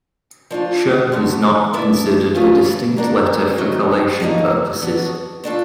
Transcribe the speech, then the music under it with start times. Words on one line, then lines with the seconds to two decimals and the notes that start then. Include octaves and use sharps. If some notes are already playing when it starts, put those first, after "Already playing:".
"Sh" is not considered a distinct letter for collation purposes.
0.50 F3 A3 D4 F4
1.12 D3 F#3 A3
1.73 B3 E4 A4 D5
2.35 F3 A3 C#4 F4 G#4
2.97 A#3 D4 F#4 A#4
3.58 C3 D#3 F#3
4.20 D3 F#3 A#3 D#4
4.82 B3 D4 F#4
5.44 A3 D4 F4 A4